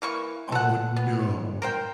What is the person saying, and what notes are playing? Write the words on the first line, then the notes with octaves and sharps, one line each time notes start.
Oh, no.
E3 A#3 C#6
A4 F#5
B3
A#4 C5 G5